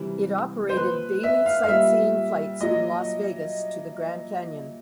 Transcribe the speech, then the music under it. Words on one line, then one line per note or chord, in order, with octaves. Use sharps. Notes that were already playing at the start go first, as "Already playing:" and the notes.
It operated daily sightseeing flights from Las Vegas to the Grand Canyon.
Already playing: C3 E3 G3
C5
A#2 F3 B4
E5
F5
F5
A#2 G3 E5
A#2 F#3 D#5